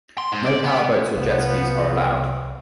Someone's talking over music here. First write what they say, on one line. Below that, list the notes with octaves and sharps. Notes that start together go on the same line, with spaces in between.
No powered boats or jet skis are allowed.
C6
G#2
D5
B3
C2 F3 B3